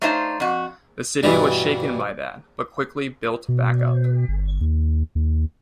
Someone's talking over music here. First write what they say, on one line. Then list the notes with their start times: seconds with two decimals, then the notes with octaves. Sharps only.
The city was shaken by that, but quickly built back up.
0.01 A3 D4 D#4 F4 C5 C#5
0.40 F2 F#4
1.23 G2 B2 E3 G3
3.48 B2
4.28 G1
4.61 D#2
5.15 D#2